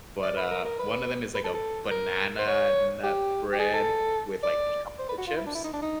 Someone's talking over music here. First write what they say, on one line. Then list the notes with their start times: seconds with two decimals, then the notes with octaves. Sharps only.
but, uh, one of them is, like, a banana nut bread with, like, chocolate chips,
0.23 D5
0.37 B4
0.51 A#4
0.65 A#4
0.79 B4
1.35 B4
1.44 A4
1.54 A4
1.91 A#4
2.39 C5
2.48 C#5
3.03 G4
3.53 G4
3.59 G#4
3.73 A4
4.43 D5
4.99 C5
5.09 B4
5.18 F#4
5.27 F4
5.37 E4
5.46 D4
5.55 E4
5.64 D#4
5.73 D4
5.82 D#4